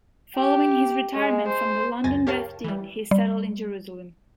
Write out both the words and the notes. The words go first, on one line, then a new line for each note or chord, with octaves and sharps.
Following his retirement from the London Beth Din, he settled in Jerusalem.
G4
G#3
C5
C#2 F#2 G#5 A6 A#6
G4 A#4 C#5 F5 A5
E3 G3
G3